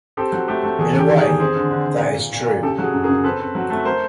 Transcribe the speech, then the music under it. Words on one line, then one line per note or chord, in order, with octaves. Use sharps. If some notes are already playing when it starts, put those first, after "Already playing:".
In a way, that is true.
C4 G4 A4
F#3
A3 G4
A3
E2 G#4
E2
G4
D#3
G#4
E2
C4 G#4
D3
D3
D3
A#2
A#2
A#2
A#2
C#3 G4 A4
F#3 G#4
F#2
G#4 A#4
C#3
C4 A4 B4
C4
F#3
A3
A3 A#4 C5